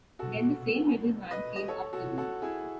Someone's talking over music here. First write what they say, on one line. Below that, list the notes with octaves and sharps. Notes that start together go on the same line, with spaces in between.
Then the same little man came up the room.
F#4 A4
B4 D#5
D#5
A4 C#5
F#4 A4
F#4 A4
E4 G#4